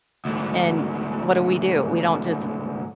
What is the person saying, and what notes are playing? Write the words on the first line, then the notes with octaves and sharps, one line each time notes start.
And what do we do? We don't just,
D2 G#2